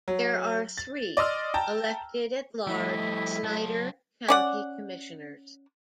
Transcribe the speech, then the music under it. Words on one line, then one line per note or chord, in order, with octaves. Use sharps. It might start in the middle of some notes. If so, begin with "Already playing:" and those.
There are three, elected at large, Snyder County Commissioners.
F#3
A6
D5 D#5 C6 E6 F6
G5 A5 A#5
F3 G3 A3 E4 D#5
F#3 A5
C#4 D5 F#5